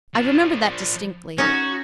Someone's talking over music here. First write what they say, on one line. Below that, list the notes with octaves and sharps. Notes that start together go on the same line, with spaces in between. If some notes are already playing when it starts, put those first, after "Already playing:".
I remember that distinctly.
F3 D4
C#4 D#4 F#4